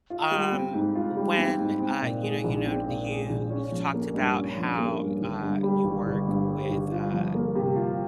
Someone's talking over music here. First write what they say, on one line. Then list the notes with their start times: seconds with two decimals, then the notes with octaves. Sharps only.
Um, when, uh, you know you know you you talked about how, uh, you work with, uh,
0.10 F4
0.31 G3
0.52 C4
0.74 G#2
0.95 F4
1.16 G3
1.38 C4
1.60 G#2
1.80 C4
2.02 A#2
2.22 G#3
2.44 A#1
2.66 C4
2.87 A#2
3.08 G#3
3.30 A#1
3.50 C#4
3.72 F3
3.94 A#3
4.14 G2
4.36 C#4
4.57 F3
4.78 A#3
5.00 G2
5.21 G1
5.42 G2
5.63 G3
5.84 G1
6.07 G1
6.28 G2
6.49 G3
6.70 G1
6.92 F4
7.13 F3
7.34 A#3
7.55 C3
7.76 F4